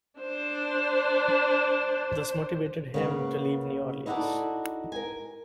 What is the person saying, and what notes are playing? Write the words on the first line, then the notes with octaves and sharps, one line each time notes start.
This motivated him to leave New Orleans.
D4 C5
C#3 A#3 B3
D#4 E4 F#4 G4 A4 D5
A#4 G#5